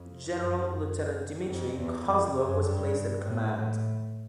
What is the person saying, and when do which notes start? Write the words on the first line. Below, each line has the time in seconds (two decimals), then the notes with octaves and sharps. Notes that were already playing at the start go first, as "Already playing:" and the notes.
General Lieutenant Dmitri Kozlov was placed in command.
Already playing: F2
0.28 F#2
0.57 F#2
1.46 F2
1.76 E2
2.05 F2
2.35 F#2
2.64 G2
3.24 A2
3.53 A2